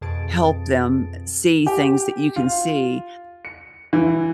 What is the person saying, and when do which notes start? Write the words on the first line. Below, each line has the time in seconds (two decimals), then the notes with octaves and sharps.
help them see things that you can see.
0.01 F2 B2 G#4 A5 A6 D7
1.67 G4
2.36 F4
3.45 C#7
3.93 E3